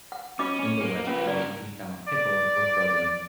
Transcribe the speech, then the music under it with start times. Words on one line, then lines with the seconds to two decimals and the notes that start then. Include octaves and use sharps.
In the west it is usually found pickled or frozen.
0.12 F#5
0.39 C#4 F4 D#5 D6
0.59 C#4
0.81 A#3
1.07 C#4 F4 B4
1.28 C#3 A#4 D5
2.07 D5